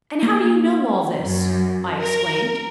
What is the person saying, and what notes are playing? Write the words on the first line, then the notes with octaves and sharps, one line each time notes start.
"And how do you know all this?" I exclaimed.
A#3
F#2
A#4